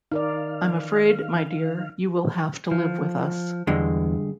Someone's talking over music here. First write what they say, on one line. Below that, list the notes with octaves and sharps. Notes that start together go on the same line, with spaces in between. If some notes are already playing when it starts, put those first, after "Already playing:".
I'm afraid, my dear, you will have to live with us.
D#3 D#4 A#4 D5 F5
F3
E2 G2 D3 G#3